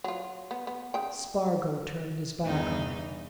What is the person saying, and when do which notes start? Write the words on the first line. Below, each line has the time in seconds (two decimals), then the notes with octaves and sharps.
Spargo turned his back on him.
0.04 F#3 F4
0.51 B3
0.67 B3
0.94 C#3 G5
2.45 E2 G2 D#4